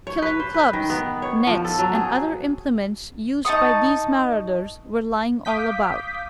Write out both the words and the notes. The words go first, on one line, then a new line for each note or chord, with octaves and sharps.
Killing clubs, nets and other implements used by these marauders were lying all about.
C#5
B4
C5
B4
D#3
B3
C#5
F3
A4
F#3
G#4
D#4 A5 C#6 D#6
F5 D6 D#6 G6 B6